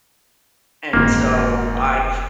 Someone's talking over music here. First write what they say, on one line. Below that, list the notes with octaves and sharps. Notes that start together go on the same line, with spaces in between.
And so, I've
F1 G#2 D#3 A#3